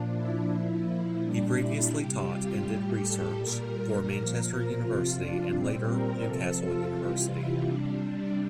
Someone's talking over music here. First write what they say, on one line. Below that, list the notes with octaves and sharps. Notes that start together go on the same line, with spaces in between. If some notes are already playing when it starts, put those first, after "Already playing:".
He previously taught and did research for Manchester University and later Newcastle University.
Already playing: A#2 F3 D4
E4
A#2 F3 E4
A#2 G3 D4
E4
C3 G3 G4
F4
A2 G3 G4
A4
A#2 G3 A#4
A#2 F3 A#4
C3 F3 F4
D4
A#2 G3 C4
A#4
C3 F3 A4
F4
C3 E3 G3 F4
E4
C3 G3 D4